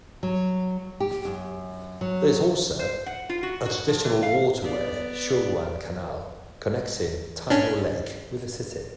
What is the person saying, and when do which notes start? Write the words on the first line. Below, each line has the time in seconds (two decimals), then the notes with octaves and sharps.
There is also a traditional waterway-Xuguang Canal, connecting Taihu Lake with the City.
0.23 F#3
1.00 G4
1.25 F#2
2.01 F#3
2.79 C5
3.06 F#5
3.29 F4
3.43 F#4
3.65 F#4
3.88 F3
4.04 E3
4.23 F5
4.62 B3 D5
7.50 C#4 D4